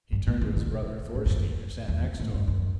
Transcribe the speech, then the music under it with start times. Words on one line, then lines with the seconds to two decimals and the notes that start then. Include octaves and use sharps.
He turned to his brother Thorstein who sat next to him.
0.12 G2
0.27 A2
0.41 C#3
0.56 C#3
0.71 B2
1.15 A2
1.26 E2
1.30 F#2
1.88 E2
2.20 A2
2.34 G2
2.48 F#2